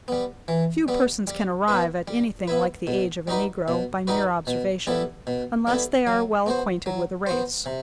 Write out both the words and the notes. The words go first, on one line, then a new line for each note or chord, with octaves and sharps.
Few persons can arrive at anything like the age of a Negro, by mere observation, unless they are well acquainted with the race.
G3 B3
E3
G3 B3
G3
B3 E4 B4
G3
B3 E4 B4
B2
G3 D#4 F#4 B4
B2
G3 D#4 F#4 B4
B2
G3 B3 E4 A4
B2
G3 B3 E4 A4
F#3
B3 F#4 C5
F#3
B3 F#4 C5
C3